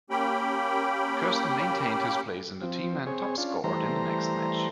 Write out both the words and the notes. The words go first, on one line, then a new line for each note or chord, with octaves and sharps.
Kirsten maintained his place in the team and top scored in the next match.
A#3 C#4 G4 G5 B5
F3 C4
C4 G#4 C#5
C#4 D4 F4
E3 G3 A3 C5 A#5